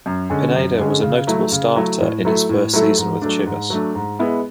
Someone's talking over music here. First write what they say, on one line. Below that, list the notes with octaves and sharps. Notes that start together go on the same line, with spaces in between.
Pineda was a notable starter in his first season with Chivas.
F#2
D3 G#3 C#4 G#4
F#2
D3 G#3 C#4 G#4
C#3
F#3 A3 E4
C#3
F#3 A3 E4
A2
F#3 A3 E4 A4
A2
F#3 A3 E4 A4
G#2
F#3 A3 D4
G#2
F#3 A3 D4
G#2
G#3 B3 E4